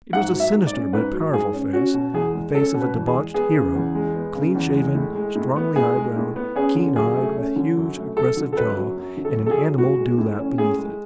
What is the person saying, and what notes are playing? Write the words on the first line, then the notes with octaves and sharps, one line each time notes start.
It was a sinister but powerful face, the face of a debauched hero, clean-shaven, strongly eye-browed, keen-eyed, with huge, aggressive jaw, and an animal dewlap beneath it.
G#2 F#5
F#3
E5
G#2
D5
C#4
G#2 B4
F#3
G#2 G#4
C#4
C#4 F#4
B2
E2 G#4
G#3
C#4 A4
B2
B4
E2
G#4
G#3
B3 G#4
C#3
E2
G#3
B3
C#3
E2
G#3
A2
G#3
A2
B3
A2 G#4
G#3
A2
B3
C#4 G#4
D3
F#2 G#4
A3
C#4
D3
F#2
A3
F#2 A4
D3
A4
F#2 B4
F#3
F#2
D3
A4
F#2
A4
G#4
F#3
A2 F#4
G#3
A2
C#4
A2 G#4
G#3